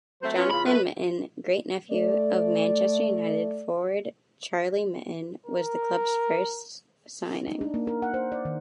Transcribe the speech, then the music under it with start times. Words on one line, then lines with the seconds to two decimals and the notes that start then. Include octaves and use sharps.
Jonathan Mitten, great-nephew of Manchester United forward Charlie Mitten, was the club's first signing.
0.22 F#3 A3 C4 C5
0.35 B3 C#4 F4
0.51 E2 C#3 F4 B5
0.66 F#3 A3 B4
1.91 A3 D5
5.46 A#4
7.48 D#4
7.61 D4
7.74 A#3
7.87 A#4
8.02 F#5
8.14 C5
8.32 D5
8.45 D#3